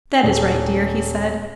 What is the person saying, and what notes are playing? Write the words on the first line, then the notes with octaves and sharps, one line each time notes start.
"That is right, dear," he said.
D#1